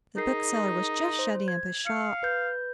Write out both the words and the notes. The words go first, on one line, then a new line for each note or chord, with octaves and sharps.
The bookseller was just shutting up his shop.
D#4 G#4 A#4 C7
C5
G#6
F5 C#7
B4 G6